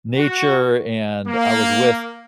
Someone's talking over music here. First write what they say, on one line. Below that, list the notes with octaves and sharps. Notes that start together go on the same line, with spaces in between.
nature and I was with,
F#4
A#3